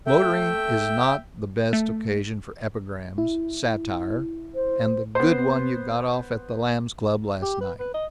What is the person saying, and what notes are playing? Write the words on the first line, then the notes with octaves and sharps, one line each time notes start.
Motoring is not the best occasion for epigrams, satire, and the Good One You Got Off at the Lambs' Club last night.
A3 E5 G5
A3
E4
C5
B3 C5
G4
B4
B4
D#5